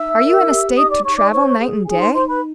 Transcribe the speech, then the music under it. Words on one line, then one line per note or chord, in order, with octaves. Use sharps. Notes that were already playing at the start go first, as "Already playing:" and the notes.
Are you in a state to travel night and day?
Already playing: D#4 E5 E6
A#4
G4
D#4 D#5 D#6
D5 D6
D#4 C#5 C#6
D5 D6
C5 C#5 C#6
G#4
D#4 G#4 G#5
C5 C6
D#4 C5 C6
B4 B5